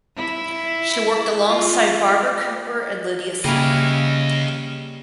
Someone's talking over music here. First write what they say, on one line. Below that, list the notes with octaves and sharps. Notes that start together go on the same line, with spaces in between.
She worked alongside Barbara Cooper and Lydia Sohn.
E4
F4
C#3 G3 A#3 C#4 E4 D#5 F5